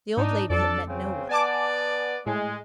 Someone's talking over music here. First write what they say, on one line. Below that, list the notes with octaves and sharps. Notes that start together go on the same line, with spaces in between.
The old lady had met no one.
G#2 D4 D#4
F2 D4 A4 D5
C#3 C4
B3 D5 G#5 A5 D6
A2 G#3